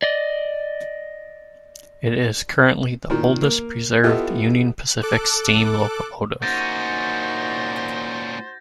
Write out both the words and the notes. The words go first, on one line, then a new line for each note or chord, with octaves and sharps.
It is currently the oldest preserved Union Pacific steam locomotive.
D5 D#5
A#2 D#3
A#3
B3 E4 F4 G4 A4 D#5
A4 D6 F#6
A#2 C#4 D#4 F#4 C5 G6 A6 A#6